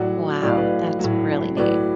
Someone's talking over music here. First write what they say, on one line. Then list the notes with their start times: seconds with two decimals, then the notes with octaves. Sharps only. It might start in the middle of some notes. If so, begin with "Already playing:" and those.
Wow. That's really neat.
Already playing: A2 F#3 D5 F#5
0.42 A2 F#3 D5
0.49 F5
0.57 B4 D5
0.99 A2 F#3
1.57 A2 F#3 B4 D5